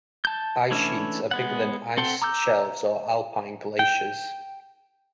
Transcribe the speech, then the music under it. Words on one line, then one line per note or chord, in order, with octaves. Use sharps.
Ice sheets are bigger than ice shelves or alpine glaciers.
A5 G6
E3 A3 C#4 D4 E4
G#3 B3 F#5
C4 A4 F#5 G5 C6
A#5 D6 E6 G6
G5